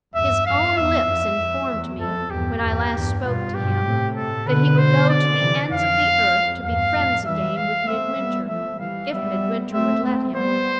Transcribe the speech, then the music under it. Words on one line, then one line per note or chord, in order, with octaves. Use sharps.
His own lips informed me, when I last spoke to him, that he would go to the ends of the earth to be friends again with Midwinter, if Midwinter would let him.
E2 G2 E5
F2 F5
E2 E5
F2
F2
E2
F2 A4
E2 G2 G4
E2 G2 G4
E2 G2
G2 B2 F4
G2 B2 G4
A2 C3
A4
B2 D3 B4
C5
D5
C3 E3
F2 F5
E2 G2 F5
F2 A2
E3 G3 E5
F5
A3 C4 E5
G3 B3
F3 A3 E5
E3 G3 F5
G3 B3 E5
A3 C4 E5
A3 C4
G3 B3 C5